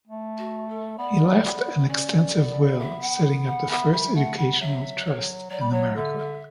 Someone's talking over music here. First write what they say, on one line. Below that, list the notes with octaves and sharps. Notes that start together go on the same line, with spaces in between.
He left an extensive will, setting up the first educational trust in America.
A3
F#4
A4
B3 D5
B3
C#4 D5
B3
E5
F#5
F#5
B3 E5
G3 E5
A3 F#5
G3 F#5
F#3 E5
C#5
F#3 D5
G3
F#3 C#5
D3 E5
E5